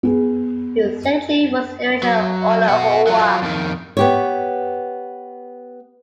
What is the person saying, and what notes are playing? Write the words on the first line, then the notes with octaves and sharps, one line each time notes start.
Its secretary was Erich Ollenhauer.
B3 G#4
F#3
B3 F#4
F#3 F4
F2 D#3
B3 G4 C#5